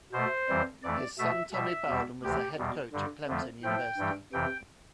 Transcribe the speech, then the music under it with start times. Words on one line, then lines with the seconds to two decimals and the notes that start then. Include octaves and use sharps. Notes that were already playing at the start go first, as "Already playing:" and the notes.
His son Tommy Bowden was the head coach at Clemson University.
0.13 B2 A3 C5
0.48 F2 E3 G3
0.83 F2 E3 A3 D5
1.18 B2 A3 E5
1.53 B2 G3 E5
1.88 E2 B2 G3
2.23 D2 C3 E3 G4
2.57 E2 B2 G3
2.93 G2 D3 G3
3.28 F2 D3 F3 A3
3.63 A2 F3 A3 G5
3.97 G2 E3 G3
4.32 F2 C3 E3 G5